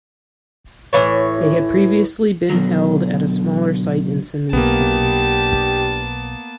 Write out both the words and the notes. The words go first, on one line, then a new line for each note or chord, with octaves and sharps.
They had previously been held at a smaller site in Simmons plains.
A2 E3 C#5
B2 D3 E3 F#3
B1 A#3 B3 D4 G4 A5